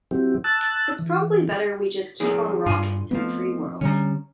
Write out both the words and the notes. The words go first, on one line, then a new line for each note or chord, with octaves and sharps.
It's probably better we just keep on rockin' in the free world.
F#3 C4 E4 G4
A5 E6 F#6 A6
E3
F3 E4 G#4
G2 D4 F4 G#5
F2 F3 A3 B3
D3 G3 C#4 A#5